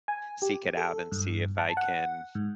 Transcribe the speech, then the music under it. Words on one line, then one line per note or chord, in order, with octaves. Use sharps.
seek it out and see if I can
G#5
G4
A4
G2
A5
F#5
G#2